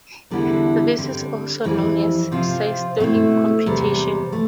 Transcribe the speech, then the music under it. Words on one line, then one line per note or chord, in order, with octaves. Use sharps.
This is also known as systolic computation.
E2 D3 G3 B3 E4
D3 G3 C4
F2 E3 G3
C3 F3 C4 F4
B2 A3 C4 E4
E2 C3 G3
A3